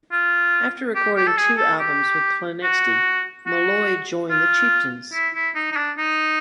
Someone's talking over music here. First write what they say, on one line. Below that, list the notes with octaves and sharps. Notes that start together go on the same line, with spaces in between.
After recording two albums with Planxty, Molloy joined The Chieftains.
F4
G4
G4
A4
G#4
A4
G4
F#4
F#4
F4
E4
E4
D#4
D#4
D4
D#4